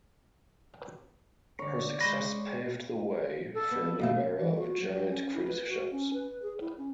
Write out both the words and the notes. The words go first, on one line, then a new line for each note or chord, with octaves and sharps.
Her success paved the way for a new era of giant cruise ships.
D3 C#5 D5
G#3 B4 C5 D#5 A#6
A4
B3
D#2 B2 A3 F5
E3
F#4
F#3
C#4
E4
B4
F#4
C#4
B4
G#4
E4
C#4